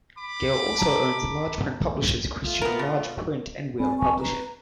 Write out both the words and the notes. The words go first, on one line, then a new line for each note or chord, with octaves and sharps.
Gale also owns large print publishers Christian Large Print and Wheeler Publishing.
B5 D6
A5 A#5
A3 F4
B3 A#4
B2
C4 D5 G#5 B5
G#5 A5 C#6
B4 A#5